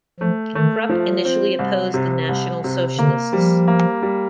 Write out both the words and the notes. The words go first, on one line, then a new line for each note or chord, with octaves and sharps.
Krupp initially opposed the National Socialists.
F3 A3
D#3 A3
F3
C4
C2
C3
C2
C3
D3 A#3
F3 G3
A#3
G3